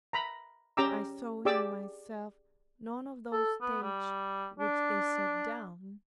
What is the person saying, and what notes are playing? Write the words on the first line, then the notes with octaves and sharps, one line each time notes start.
I saw in myself none of those states which they set down.
A#5 B5
C#4 G4 G5 A#5 D6 E6
G4 G#4 D5 D6 E6
A4
B3
G3
D4